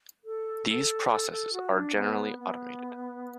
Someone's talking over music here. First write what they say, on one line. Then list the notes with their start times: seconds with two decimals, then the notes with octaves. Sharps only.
These processes are generally automated.
0.24 A4
0.67 A4
1.10 A4
1.31 A4
1.53 F#4
1.74 D4
1.96 B3
2.39 B3